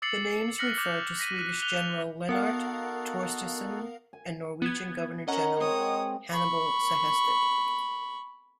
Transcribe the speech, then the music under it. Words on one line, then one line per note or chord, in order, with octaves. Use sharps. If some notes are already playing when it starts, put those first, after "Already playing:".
The names refer to Swedish general Lennart Torstenson and Norwegian governor-general Hannibal Sehested.
D6 E6 A6 C7 C#7 F#7
F6 F#6 A#6 B6 C#7 F#7
D6 F6 G6 F7
A#6 B6 D#7
F#6 B6
F#6 F7 G7
B3 D#4 F#4 A4 A#4 F5 F#5
G#5
B3 G#6
C#4 A#4 D#5 F#5 A#5 B5
G#3 C4 C#5 D#6
B5 C#6